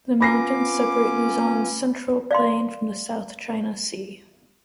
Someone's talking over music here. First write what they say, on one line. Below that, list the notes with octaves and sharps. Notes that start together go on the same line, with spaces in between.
The mountains separate Luzon's central plain from the South China Sea.
B3 C#4 F4 B5 D6 A#6 C7
D5 F5 C6